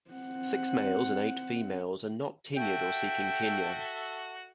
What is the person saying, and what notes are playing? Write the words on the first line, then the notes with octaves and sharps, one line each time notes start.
Six males and eight females are not tenured or seeking tenure.
C4 F#5
F#4 A4 E5 G5